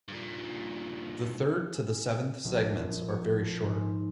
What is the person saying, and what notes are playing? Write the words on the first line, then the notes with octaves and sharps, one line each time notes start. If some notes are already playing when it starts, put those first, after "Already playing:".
The third to the seventh segments are very short.
G2 A#2
G#4
A#1
C#6
G#2